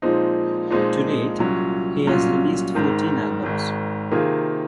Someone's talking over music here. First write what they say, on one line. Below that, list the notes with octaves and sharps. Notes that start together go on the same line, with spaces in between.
To date, he has released fourteen albums.
A#2 F3 G#3 C4 D#4
A#2 F3 G#3 C4 D#4
C2 A#2 F#3 C#4 F4
C2 A#2 F#3 C#4 F4
G#1 G#2 D#3
G#1 G#2 D#3
C3 D#3 A#3 F4 G#4